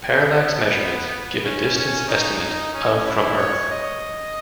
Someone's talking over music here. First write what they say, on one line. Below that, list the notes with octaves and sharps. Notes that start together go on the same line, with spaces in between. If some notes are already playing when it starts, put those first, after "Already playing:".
Parallax measurements give a distance estimate of from Earth.
B3
C#4
C#4
D#4
D#4
C#4
E4
C#5
D#5